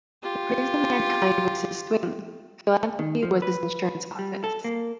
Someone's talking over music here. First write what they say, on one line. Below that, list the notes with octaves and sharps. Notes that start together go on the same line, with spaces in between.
The praise of mankind was his swing; philanthropy was his insurance office.
F4 G4
D#3
F3
B4
G3
A4
A#3